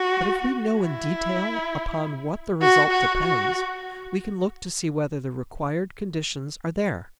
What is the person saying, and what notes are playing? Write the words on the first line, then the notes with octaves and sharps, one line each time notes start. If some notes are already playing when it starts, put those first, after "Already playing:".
But if we know in detail upon what the result depends, we can look to see whether the required conditions are there.
Already playing: F#4
E4
F#4
F#4
F#4